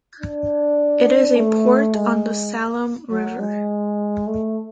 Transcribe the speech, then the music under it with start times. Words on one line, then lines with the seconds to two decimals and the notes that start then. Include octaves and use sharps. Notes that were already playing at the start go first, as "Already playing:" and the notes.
It is a port on the Saloum River.
0.20 D4
1.36 A3
1.95 G#3
3.11 F#3
3.39 G#3
4.27 A3